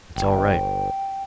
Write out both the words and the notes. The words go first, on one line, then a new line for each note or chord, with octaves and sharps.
It's all right.
G1 G5